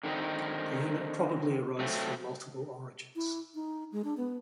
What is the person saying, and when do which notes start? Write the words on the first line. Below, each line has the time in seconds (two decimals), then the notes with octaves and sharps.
The unit probably arose from multiple origins.
0.04 D3 D#3 B3 C4 D#4
1.79 F#3 A3 C4
3.16 E4
3.55 D#4
3.92 G#3
4.04 D4
4.17 B3